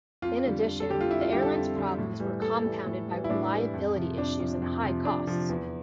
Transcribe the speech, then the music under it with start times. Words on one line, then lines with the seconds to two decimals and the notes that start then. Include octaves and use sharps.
In addition, the airline's problems were compounded by reliability issues and high costs.
0.22 F2 F4
0.45 D3 G3
0.66 F2
0.80 A4
0.88 D3 G3 G4
1.01 F4
1.10 F2 E4
1.21 F4
1.32 D3 G3 G4
1.43 A4
1.55 F2
1.76 D3 G3
1.98 A2
2.20 E3 G3
2.42 A2 A4
2.64 E3 G3
2.86 A2
3.08 E3 G3
3.24 E4
3.30 A2 D4
3.52 E3 G3
3.74 F2
3.95 C3 F3
4.17 F2 D4
4.40 C3 F3
4.62 F2
4.84 C3 F3
5.05 F2 D4
5.27 C3 F3
5.49 E2